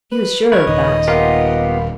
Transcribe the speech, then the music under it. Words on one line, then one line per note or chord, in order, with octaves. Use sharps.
He was sure of that.
B4
A#4 B4 C#5
D#1 D#3 D#5
B3 F4 G4 A#4 F5